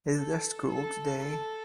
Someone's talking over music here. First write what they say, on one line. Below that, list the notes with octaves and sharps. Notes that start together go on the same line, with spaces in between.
Is there school today?
A4
A4
A4